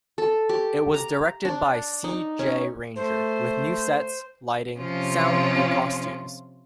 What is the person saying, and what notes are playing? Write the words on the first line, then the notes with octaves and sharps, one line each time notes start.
It was directed by C. Jay Ranger, with new sets, lighting, sound and costumes.
A4
G4
A#5
D4
D#4
C#4
A3 C5
C3 F3 C#4 F4